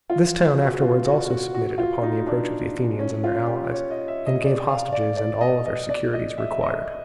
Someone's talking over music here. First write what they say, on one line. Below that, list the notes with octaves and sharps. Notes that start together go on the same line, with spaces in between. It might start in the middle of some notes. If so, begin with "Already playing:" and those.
This town afterwards also submitted upon the approach of the Athenians and their allies, and gave hostages and all other securities required.
F4
F#4
F4
F#4
F#4
F#4
F4
D#4
D4
C#4
F4
G4
C#5
D#5
E5
D#5
D5
F5
D5
D5
D#5
D#5
D5
D#5
E5
E5
D#5